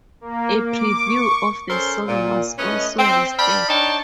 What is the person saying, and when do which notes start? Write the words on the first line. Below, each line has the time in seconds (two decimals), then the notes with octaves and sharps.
A preview of the song was also listed.
0.21 A#3
0.67 D6
1.03 C#6
1.69 C#4 A4 A#4 C5
2.07 A#2
2.58 A3 C#4 B4 D#5
2.99 C4
3.38 D5 F5 G5 A5 B5
3.69 D4 D#4 C#5 G5 A5